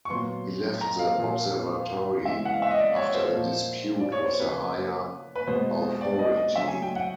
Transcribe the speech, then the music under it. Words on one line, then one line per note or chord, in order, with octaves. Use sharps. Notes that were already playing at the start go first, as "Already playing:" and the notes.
He left the observatory after a dispute with the higher authority.
C#6
A#2 F#3 B3 C6
A#5
F5
A#2 F3 A#3
C#3 E3 G#3 B3 E5
F#5
F5
E5
D#5
D5
C#5
C5
A#2 F3 A#3
D5
C#5
C5
C#3 F3 A#3 B4
B4
B2 G#3 B3 C5
D5
D#5
D#5
C#3 F#3 A3 E5
G#5
G5
F#5